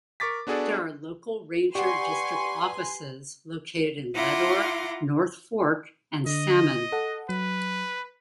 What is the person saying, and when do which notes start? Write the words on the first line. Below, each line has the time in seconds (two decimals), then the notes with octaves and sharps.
There are local ranger district offices located in Leadore, North Fork, and Salmon.
0.20 A#4 C#6 D6 A6 B6
0.47 B3 D4 F#4 G#4 A4 D5
1.75 G4 B4 D5 F#5 G#5 C6 C#6
4.13 E4 F4 F#5 A#5 C6 D6
6.26 D3 D#5
6.92 A4 F#5
7.29 F#3 B4